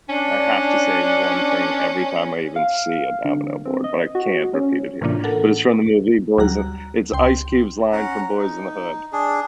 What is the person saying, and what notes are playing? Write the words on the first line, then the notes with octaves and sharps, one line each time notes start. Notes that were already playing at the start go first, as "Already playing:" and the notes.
I have to say one thing every time I even see a domino board, but I can't repeat it here. But it's from the movie Boyz n it's Ice Cube's line from Boyz n the Hood
C#4 D4
F5
D3
C4
D#5
F#4
C#4
A2 C3 E3 A#3 D4 F4
A4 A#4 F#5
D2 F#3 G3 A#5 F#6
C#2 G5 C6
C#4 F#5 A#5
D#4
D4 G#4